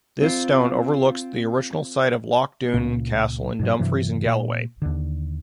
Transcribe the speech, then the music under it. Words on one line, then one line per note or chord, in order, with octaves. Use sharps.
This stone overlooks the original site of Loch Doon Castle in Dumfries and Galloway.
C4 F4
C#2 A#2 A#3
G#2 B2 F#3
G2 C3 E3 F#3
A#2
D#2 D3